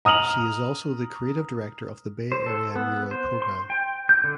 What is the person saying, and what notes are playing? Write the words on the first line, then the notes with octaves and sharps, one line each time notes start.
She is also the creative director of the Bay Area Mural Program.
A#5 D#6 F6 F7 F#7
C5
A4
B3
C5
C6
G5
G6
D3